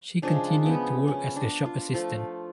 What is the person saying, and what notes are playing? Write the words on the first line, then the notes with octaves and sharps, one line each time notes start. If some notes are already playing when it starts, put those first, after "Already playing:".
She continued to work as a shop assistant.
C#3 F3 G#3 D4
B3
C#4
D4
F4
F3 A3 F4